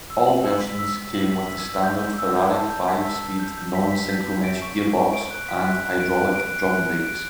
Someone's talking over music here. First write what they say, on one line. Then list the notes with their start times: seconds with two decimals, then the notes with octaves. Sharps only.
All versions came with the standard Ferrari five-speed non-synchromesh gearbox and hydraulic drum brakes.
0.10 E6
0.27 F#7
0.44 E6
0.61 B6
0.79 E6
0.97 E6
1.14 F#7
1.31 B6
1.49 E6
1.66 E6
1.84 G6
2.01 G6
2.18 E6
2.36 G6
2.53 A5
2.70 G6
2.88 B6
3.05 E6
3.22 E6
3.40 G6
3.57 G6
3.75 B6
3.92 B6
4.09 G6
4.27 G6
4.44 D7
4.62 C#6
4.78 C#6
4.96 C#6
5.13 D7
5.31 F#6
5.48 B6
5.65 F#6
5.83 F#6
6.00 D7
6.17 F#6
6.36 D7
6.52 F#6
6.70 F#6
6.88 F#6
7.05 D7